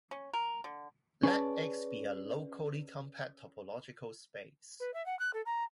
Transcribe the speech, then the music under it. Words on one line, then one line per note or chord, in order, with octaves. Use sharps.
Let "X" be a locally compact topological space.
C#4
A#4
D3
C#4 G#4 B4 C#5 D5 A5
B4
E5
F#5
F#6
A4
A#5